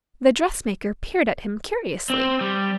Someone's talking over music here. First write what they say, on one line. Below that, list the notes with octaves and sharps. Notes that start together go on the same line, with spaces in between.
The dressmaker peered at him curiously.
C4
G3